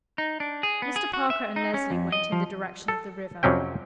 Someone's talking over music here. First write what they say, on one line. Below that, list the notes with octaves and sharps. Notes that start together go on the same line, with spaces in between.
Mr. Parker and Leslie went in the direction of the river.
D#4
D4
G#4
B3
G#4
F#4
E5
D#4
C#4
F2
D#5
F3
A4
F2 C3 F#3 C#4 G5